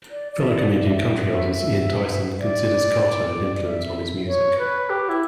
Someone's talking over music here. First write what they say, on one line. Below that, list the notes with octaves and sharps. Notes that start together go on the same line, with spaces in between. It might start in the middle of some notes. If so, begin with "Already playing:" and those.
Fellow Canadian country artist Ian Tyson considers Carter an influence on his music.
D5
D5
E5
D5
E5
D5
E5
C#5
B4
G4
E4